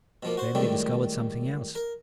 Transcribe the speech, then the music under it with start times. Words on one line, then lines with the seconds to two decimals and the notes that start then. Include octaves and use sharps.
Then they discovered something else.
0.23 B2 F3 A#3
0.37 F#4 C5
0.55 C#2 A2 D#3 G3
1.75 A#4